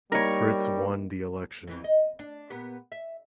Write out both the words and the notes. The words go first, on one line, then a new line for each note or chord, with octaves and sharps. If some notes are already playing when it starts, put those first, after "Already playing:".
Fritz won the election.
G3 A#3 D#4 A#4 C#5
F2 E3 C4
D#5
D4
A#2 B3 G4
E5